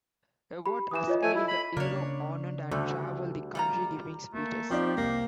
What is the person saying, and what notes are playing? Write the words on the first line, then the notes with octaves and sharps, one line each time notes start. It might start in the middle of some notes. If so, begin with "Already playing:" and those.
Ewart was hailed a hero, honoured, and travelled the country giving speeches.
G4 B5
E3 D#6 E7
F4 C#5 D#5
A3 G#5
E4
B5
C#3 A#3 D4 C#5
D2 D3 G3 A3
G3 F4 A#5
A3 A#3
F3 C4 D#4 G4 D5
C2 A#3